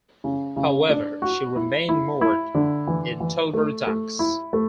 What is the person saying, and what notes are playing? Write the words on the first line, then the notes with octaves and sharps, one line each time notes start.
However, she remained moored in Tilbury Docks.
C#3
C#3
D4
F#4
E4
E4
E4
D3
E3
E3
A3
A3
E4
A3